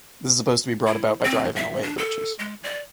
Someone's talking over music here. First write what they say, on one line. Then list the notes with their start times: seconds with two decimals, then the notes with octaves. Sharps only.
This is supposed to be brought about by driving away the witches.
0.87 E4
1.25 C4
1.56 E5
1.82 D4
1.98 A4
2.39 G#3
2.64 D5